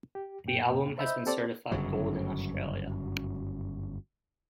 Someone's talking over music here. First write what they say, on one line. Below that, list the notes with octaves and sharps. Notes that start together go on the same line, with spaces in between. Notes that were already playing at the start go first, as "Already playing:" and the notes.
The album has been certified gold in Australia.
G4
F#2 A#2 A#3 G5
C5 D#5 E5 B5 E6 G6
C4 G4 A4 C5 D5
G1 F#2 C#3 F#3